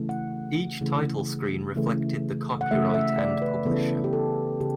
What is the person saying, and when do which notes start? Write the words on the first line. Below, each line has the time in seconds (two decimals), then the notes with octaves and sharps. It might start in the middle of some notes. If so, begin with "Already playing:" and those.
Each title screen reflected the copyright and publisher.
Already playing: C#3 E3 A3
0.09 F#5
0.81 C#3 E3 A3
1.76 C#3 E3 A3
2.61 F#5
2.71 C#3 E3 A3 E5
2.94 E5
3.18 D5
3.42 B4
3.66 C#3 E3 B3 A4
4.04 G4
4.13 A4
4.61 C#3 G4